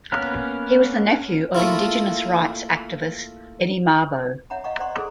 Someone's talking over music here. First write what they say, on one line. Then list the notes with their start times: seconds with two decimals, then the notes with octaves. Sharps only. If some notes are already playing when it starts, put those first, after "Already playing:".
He was the nephew of indigenous rights activist Eddie Mabo.
0.12 A#3 B3 C#4 A#4 B4
1.55 A3 A#3 E4 F4
4.50 C#5 E5 F#5 A#5 B5
4.64 D#5 F5 F#5 A#5 C#6
4.79 C5 D5 F#5 A#5 C6 C#6
4.95 G#4 A4 C5 G#5 A#5 C#6